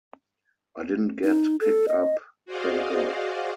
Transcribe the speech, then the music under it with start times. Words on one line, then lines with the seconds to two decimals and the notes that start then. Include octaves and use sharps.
It didn't get picked up, thank God.
1.24 D#4
1.61 A4
1.88 D#5
2.46 F#4 G#4 C5 D5 D#5 F5